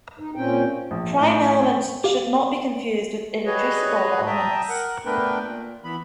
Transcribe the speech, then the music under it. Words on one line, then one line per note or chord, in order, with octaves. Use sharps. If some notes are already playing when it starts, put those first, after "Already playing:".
Prime elements should not be confused with irreducible elements.
D#4
A#2 C4 C#4 G5
A#1
A2
G5
G4 F5
G3 F#4 G#4 B4 C#5 D#5
E5 G5 A5 A#5 D#6
A#4 F#5
A3 B3 D4 A#4 B4 G5
A#2
E3 B3 B5